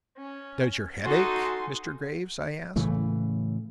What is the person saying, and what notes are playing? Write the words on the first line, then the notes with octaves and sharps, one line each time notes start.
"Does your head ache, Mr. Graves?" I asked.
C#4
D#4 F#4 A4 G#5 C6
A2 C#3 E3 A3